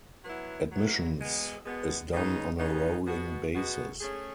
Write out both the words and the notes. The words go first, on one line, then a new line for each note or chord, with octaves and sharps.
Admissions is done on a rolling basis.
F#3 B3 E4
F#3 B3 E4
B2 G#3 B3
B2 G#3 B3
C#3 G#3 B3 D#4
C#3 G#3 B3 D#4
B2 G#3 B3 F#4
B2 G#3 B3 F#4
A3 C#4 G#4